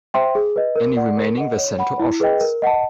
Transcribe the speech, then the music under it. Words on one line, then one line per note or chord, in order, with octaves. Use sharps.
Any remaining were sent to Auschwitz.
C5 E5 G5 C6
G#4
B4 D#5
A#4
D5 F#5
A#4
D#5 F#5
C#5
F#5 B5
E4
G#4 B4 D#5 G5
A#4
D#5 F#5 A5